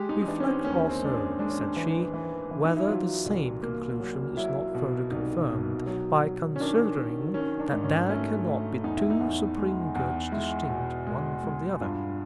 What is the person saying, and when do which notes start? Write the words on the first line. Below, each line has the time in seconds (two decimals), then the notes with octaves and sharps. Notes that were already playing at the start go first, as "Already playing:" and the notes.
'Reflect, also,' said she, 'whether the same conclusion is not further confirmed by considering that there cannot be two supreme goods distinct one from the other.
Already playing: G#3 G4
0.09 D#4
0.22 D#4
0.28 E3 D4
0.40 C#4
0.46 C4
0.65 D#2 C#4
0.89 C4
1.02 G#3 D4
1.15 C#4
1.39 G#3 D4
1.50 C#4
1.61 D4
1.76 E3
2.14 E3
2.51 E3
2.65 D#4
2.77 E4
2.88 F#3 F4
3.26 C2
3.62 A#3
4.00 F#3
4.37 F#3 E4
4.75 B2
5.11 C2 D#4
5.49 B2
5.86 F#3
6.23 F#3
6.56 C#4
6.60 D#3 D4
6.98 D#3
7.34 D#3 C#4
7.59 D4
7.72 G#2 D4
7.84 C#4
8.09 A3 C#4
8.46 A3
8.83 E2 D#4
8.97 E4
9.10 D#4
9.21 E2
9.57 G#3
9.95 E2
10.32 G#3 E4
10.69 B2
11.07 G#3
11.44 G#3
11.80 G2 F4